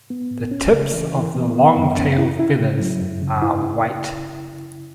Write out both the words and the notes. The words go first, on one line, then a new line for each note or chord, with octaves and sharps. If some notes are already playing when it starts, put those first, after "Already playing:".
The tips of the long tail feathers are white.
B3
A2
C#4
C#3
E3
E3
B3
B3
F#2
C#4
E4
E4
C#3
F#3
F#2
C#3
E4
E4